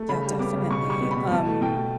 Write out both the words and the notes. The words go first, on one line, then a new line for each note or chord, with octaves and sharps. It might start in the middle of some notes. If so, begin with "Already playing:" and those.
yeah, definitely. Um
Already playing: A3
C#3 B5
G3
B3 D6
C#3
B2 C#6
G3 C#6
B3
B5
B2
B2 A5
A3
B2 G5
A3